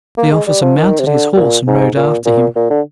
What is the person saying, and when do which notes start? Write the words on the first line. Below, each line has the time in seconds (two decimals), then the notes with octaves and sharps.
The officer mounted his horse and rode after him.
0.17 A#3
0.32 G#3
0.47 G3
0.62 F3
0.77 D#3
0.99 C3
1.07 D3
1.36 A#2
1.67 G#2
1.96 A#2
2.26 A#2
2.56 A#2
2.70 D3